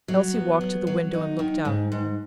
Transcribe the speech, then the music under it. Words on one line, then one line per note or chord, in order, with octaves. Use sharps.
Elsie walked to the window and looked out.
F#3
B3
F#3
F#3
D#4
D#3
G#2
G#2